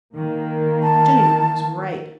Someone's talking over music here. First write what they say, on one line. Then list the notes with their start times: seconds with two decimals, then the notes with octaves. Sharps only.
Jenny Wren was right.
0.15 D#3 A#3
0.82 A5